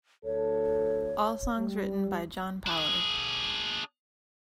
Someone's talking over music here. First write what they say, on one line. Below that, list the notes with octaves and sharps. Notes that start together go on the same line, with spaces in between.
All songs written by John Power.
D2 A4 C#5
G3
D4 G#4